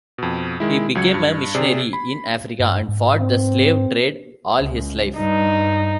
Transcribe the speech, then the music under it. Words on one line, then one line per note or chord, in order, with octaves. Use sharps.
He became a missionary in Africa and fought the slave trade all his life.
F2 B2
D#3 G#3 E4
C#2 F#3 G#6 C#7
G2
C3 G#4 D5 C7
B5
G2
G#2
C4
C#2
G2 D#4